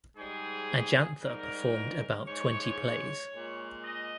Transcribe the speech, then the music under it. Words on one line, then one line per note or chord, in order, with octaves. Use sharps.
Ajantha performed about twenty plays.
G#2 G3 G#4
G#2 G3 A#4
G#2 F3 G#3 C#5
A#2 G#3
D#5